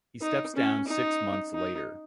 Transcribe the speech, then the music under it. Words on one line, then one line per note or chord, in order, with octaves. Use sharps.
He steps down six months later.
D#4
C#4
D#4
D#4